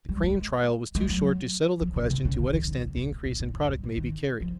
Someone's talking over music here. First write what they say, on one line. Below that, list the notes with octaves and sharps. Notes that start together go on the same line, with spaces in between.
The Crane trial was too short to settle the question to what extent the increase in product may be carried.
G3
G#3
G#3
F#3
F3
C#3
C3
C#3
D3
D#3
C#3
C3
B2
A#2
A#2
B2
A2
A2
G2
A2
D#3
F3